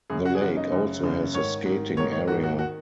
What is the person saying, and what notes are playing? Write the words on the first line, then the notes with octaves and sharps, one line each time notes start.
The lake also has a skating area.
F#2 C#3 G#4
F#4
G#4
F#2 C#3 F#4
D#4
F#2 C#3
F#2 C#3
G#2 D#3 C#5
G#2 D#3
G#2 D#3 C#5
C#5
G#2 D#3 F#4
F#4
D#3 F#4